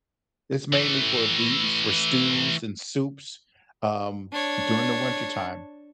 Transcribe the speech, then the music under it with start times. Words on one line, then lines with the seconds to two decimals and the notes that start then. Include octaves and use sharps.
is mainly for bee is for stews and soups, um, during the wintertime.
0.73 E3 A3
4.32 D4 C#5